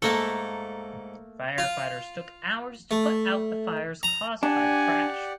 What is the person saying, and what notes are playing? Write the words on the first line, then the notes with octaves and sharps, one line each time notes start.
Firefighters took hours to put out the fires caused by the crash.
G#2 A3 A#3 A4 A5
F4
A3
A#5
D4 G4 D5 F#5 G#5